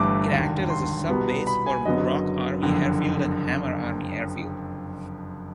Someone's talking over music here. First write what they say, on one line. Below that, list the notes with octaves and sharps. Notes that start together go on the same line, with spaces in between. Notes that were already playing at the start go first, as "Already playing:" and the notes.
It acted as a sub-base for Muroc Army Airfield and Hammer Army Airfield.
Already playing: G1 G2 E3 A3 D6
E1 D#2 D3
C6
C2 B2 G3 B3
B5
G#5
F#1 F#2 D3 F#3 B3 D#5
F#1 F2 D3